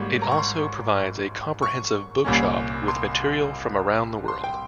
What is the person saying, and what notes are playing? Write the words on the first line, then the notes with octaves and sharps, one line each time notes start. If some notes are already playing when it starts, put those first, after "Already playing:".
It also provides a comprehensive bookshop with material from around the world.
Already playing: G#1 G#2 G3 A#3 C#5
A#5
C#6
C6
C#6
C2 A#2 G3 A#3 C#4
C6
C6
G5